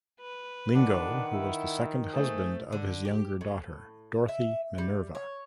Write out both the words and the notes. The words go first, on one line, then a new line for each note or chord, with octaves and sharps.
Lingo, who was the second husband of his younger daughter, Dorothy Minerva.
B4
D#3 D4 F#5
E4
A3 G#4 C5
D3
G4
A2
E5
G3
C#5